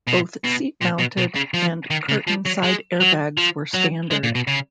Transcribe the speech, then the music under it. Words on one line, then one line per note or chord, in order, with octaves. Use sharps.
Both seat-mounted and curtain side airbags were standard.
B2
B2
A#2
B2
B2
C#3
F3
D#3
C#3
F3
F#3
G#3
F#3
F3
F#3
G#3
A#2
B2
C#3